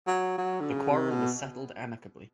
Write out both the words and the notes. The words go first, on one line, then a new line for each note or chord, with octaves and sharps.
The quarrel was settled amicably.
F#3
F#3
D3
C#3
C3
B2